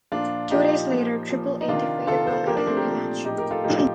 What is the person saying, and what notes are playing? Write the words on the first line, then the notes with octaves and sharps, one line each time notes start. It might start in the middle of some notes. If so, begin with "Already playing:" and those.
Two days later, Triple A defeated Romeo in a rematch.
A#2 F3 D4 F4
A#2 F3 D#4 G4
A#2 F3
A#2 F3
D#4
C3 D#3 D4 F4
C3 D#3 F4 A4
A4 C5
A#2 F3 G4 A#4
A#3 D4
A3 C4
G4 A#4
A#2 F3
A2 F3 D#4 G4
G4 A#4
F4 A4
A2 F3 D#4 G4
G4